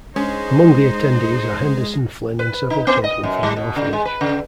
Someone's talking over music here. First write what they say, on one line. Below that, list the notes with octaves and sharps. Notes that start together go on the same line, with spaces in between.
Among the attendees are Henderson, Flynn and several children from the orphanage.
G#3 C#4 D#4 C5
B4
D#4
B3
D#5
F#2
G3
B2
C#3
G#3
B4
C#3